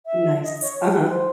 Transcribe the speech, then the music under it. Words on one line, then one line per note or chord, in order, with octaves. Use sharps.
Nice. Uh-huh.
E5
D#5
C#5
B4
C5